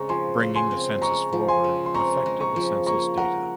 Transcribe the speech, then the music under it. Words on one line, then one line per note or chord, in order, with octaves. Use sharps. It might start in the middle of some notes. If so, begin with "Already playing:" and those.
Bringing the census forward affected the census data.
Already playing: C#3 G#3 C4 A#5 C#6
F3 G#5 C6
C#3
G#5 C6
C4
G#3 A#5 C#6
F3
G#5 C6
C#3
C6
C4 A#5 C#6
G#3
A#5 C#6
F3
A#3 A#5 C#6
A#4 F#5 A#5